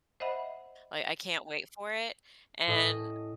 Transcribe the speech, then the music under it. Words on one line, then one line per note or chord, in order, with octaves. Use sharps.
I I can't wait for it, and
C5 D#5 E5 F#5 B5
A2 C#4 A4 D#5